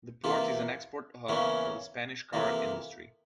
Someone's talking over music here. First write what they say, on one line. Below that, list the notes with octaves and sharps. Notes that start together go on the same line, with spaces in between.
The port is an export hub for the Spanish car industry.
C3 E3 A#3 F4
E2 C#3 E3 A#3 C#4
F2 C3 E3 A#3